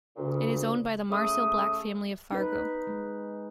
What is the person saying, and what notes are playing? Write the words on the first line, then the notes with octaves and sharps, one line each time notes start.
It is owned by the Marcil-Black family of Fargo.
D2 A#2 C#3
C#3 A3 D#6
D#4 B4
G#3